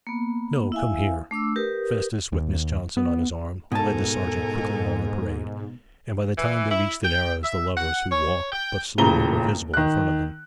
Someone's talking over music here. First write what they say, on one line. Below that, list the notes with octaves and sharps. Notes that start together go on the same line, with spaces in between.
'No--come here.' Festus, with Miss Johnson on his arm, led the sergeant quickly along the parade, and by the time they reached the Narrows the lovers, who walked but slowly, were visible in front of them.
A#3 B3
E4 E5 F5 G#5
A3 D4 D6 E6
G4 A#4 B4 D#6
D#2
B3
G#2 B2 A4 A#4 G#5 A5
E3
E4
G5
E5
F#5
C#5
G5
D#1 A1 C#3 A#5 G7
D#3 F#6